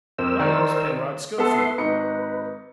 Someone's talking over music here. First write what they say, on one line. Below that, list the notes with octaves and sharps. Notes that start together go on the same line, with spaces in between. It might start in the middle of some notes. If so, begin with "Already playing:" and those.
"My name's Penrod Schofield."
F2 A#4 C5 E6
D#3 D5 A#5
B3 A4 B4 E5 C6
G#1 D#4 B4 C#7